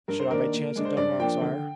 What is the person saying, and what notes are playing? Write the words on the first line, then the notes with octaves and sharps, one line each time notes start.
"Should I by chance have done wrong, sire?"
G2 A#4
C5
D#3 A#3 D4 A#4
A#2
G#3 D4
C5
G2 D5
F3 A#3 D4 G5
D3